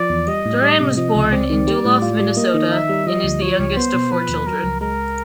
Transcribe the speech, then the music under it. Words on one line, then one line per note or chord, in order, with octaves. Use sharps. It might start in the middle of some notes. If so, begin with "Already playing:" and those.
Doran was born in Duluth, Minnesota and is the youngest of four children.
Already playing: F3 D5
E2
G3 D#5
A2
G3 D#5
C3
F3 D#5
C#2
C4 D5
D#3
G3
A2
F4
G3
A#3 D#5
D#3
D#4 E5
G3
F3 D#5
D2
F3 C#5
C#2
B3 C5
B2
F3 B4
D#2
F#3 A#4
C#2
G#3 A#4